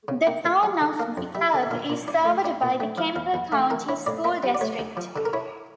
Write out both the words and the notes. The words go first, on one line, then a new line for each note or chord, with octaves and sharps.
The Town of De Kalb is served by the Kemper County School District.
C#3
A#3 G5
D2
G3 G5
D3
A#3 F5
F2
G3 E5
D3
E5
A#2 F5
A#2
D4
A3
D4
A#2
A3 G5
F3 F5
E2 F5
E2
A3 F5
E3 A#4
E4 C#5
A2 D5
A#3 E5
G3
D5
A3 C#5
D2
F3
D3 A4
A#4
E4 C#5